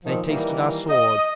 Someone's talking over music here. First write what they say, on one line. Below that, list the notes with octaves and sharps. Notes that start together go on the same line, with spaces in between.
They tasted our swords.
A#2 D#3 F3
D#3 E3 G3 A#3
D#5